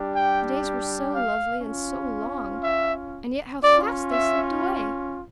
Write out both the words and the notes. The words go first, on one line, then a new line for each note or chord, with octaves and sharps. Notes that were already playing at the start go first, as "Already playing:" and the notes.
The days were so lovely and so long! and yet how fast they slipped away!
Already playing: G3 D4 G4
G5
F5
C#4 F4
E5
C#4 F4 D5
E5